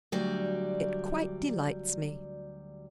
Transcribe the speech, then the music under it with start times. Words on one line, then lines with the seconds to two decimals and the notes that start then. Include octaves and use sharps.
It quite delights me.
0.12 D2 F#3 G3 D5